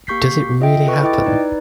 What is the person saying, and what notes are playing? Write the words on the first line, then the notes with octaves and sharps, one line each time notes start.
Does It Really Happen?
A#3 G4 C#6 G6 B6 C7
F4 D#5 E5 G5
A4 B4 C#6
E4 D#5 G5 D6 A6
D#4 B4 D5